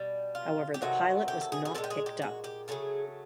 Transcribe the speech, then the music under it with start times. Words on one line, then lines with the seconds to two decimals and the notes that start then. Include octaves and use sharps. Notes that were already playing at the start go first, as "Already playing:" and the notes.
However, the pilot was not picked up.
Already playing: B2 G3
0.35 F4
0.74 G4
0.82 C3 D#3 F#3 A3 F#4
1.28 G4
1.41 A4
1.52 G#4
1.65 G#4
1.75 A#2 F3 G#3 A4
1.84 G4
1.90 G#4
2.06 G4
2.22 F#4
2.44 G4
2.68 C#3 F#3 A3 G#4